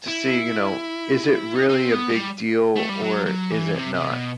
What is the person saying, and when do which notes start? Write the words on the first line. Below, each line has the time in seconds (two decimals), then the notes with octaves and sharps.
to see, you know, is it really a big deal or is it not?
0.08 E4
1.56 D#4
1.69 D#4
1.74 C4
1.92 B3
2.10 G3
2.76 A3
2.89 G3
3.03 F#3
3.26 F#3
3.51 E3
3.76 C3
3.94 C3
4.12 B2